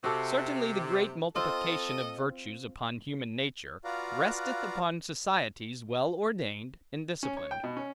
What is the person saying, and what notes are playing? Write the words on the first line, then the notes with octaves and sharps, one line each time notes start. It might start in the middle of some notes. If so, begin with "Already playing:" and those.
Certainly the great multiplication of virtues upon human nature, resteth upon societies well ordained and disciplined.
C3 F#4 A4 F5
C4 F4 A4 D#5
F4 F#4 B4 D5 F5 A#5
C#4
C#5
G5
B2
C#4